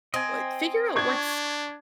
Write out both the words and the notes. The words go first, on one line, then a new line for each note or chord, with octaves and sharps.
what figure out what's
C4 D#5 G#5
D4 C#6 G#6